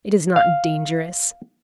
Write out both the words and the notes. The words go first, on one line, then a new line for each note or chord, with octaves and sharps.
It is not dangerous.
F5